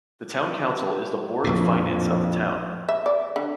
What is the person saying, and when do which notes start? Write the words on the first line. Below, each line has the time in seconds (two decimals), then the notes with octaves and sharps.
The town council is the board of finance of the town.
1.44 A#1 F2 A2
2.89 E5
3.06 D5
3.36 D3